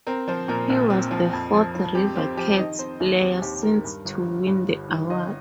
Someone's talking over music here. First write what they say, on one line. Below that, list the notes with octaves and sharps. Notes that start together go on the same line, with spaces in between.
He was the fourth River Cats player since to win the award.
C4 A#4
F3 C5
A#2 A#4
A#1
C4
F3
F2
F3
F3
C4 G4
C4 G4
F3 G4
D#3 D#5
C4 C5
D#2
C4 G4
D#2 G4
D#3 A#4
G2
G1
G1
G2
G1
D#3
G1 D#5